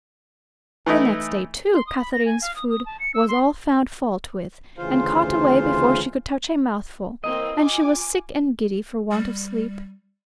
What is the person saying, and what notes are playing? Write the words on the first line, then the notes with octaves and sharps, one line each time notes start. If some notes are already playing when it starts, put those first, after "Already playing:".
The next day, too, Katharine's food was all found fault with, and caught away before she could touch a mouthful, and she was sick and giddy for want of sleep.
E3 A3 D#4 E4
C6
D#6
B5
A#6
G#5
F5
D#6
D#6
A5
C#7
E6
C6
D2 C#3 E3 F4 C5 F5
E3 A#3 C4 D#5
F4 G#5 D6
G3